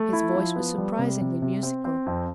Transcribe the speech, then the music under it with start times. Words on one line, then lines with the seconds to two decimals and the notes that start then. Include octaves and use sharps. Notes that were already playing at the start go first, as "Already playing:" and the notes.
His voice was surprisingly musical.
Already playing: A3
0.13 E4
0.35 F3
0.56 B3
0.78 G3
0.99 C3
1.21 C3
1.42 C3
1.63 C4
1.85 C4
2.06 F2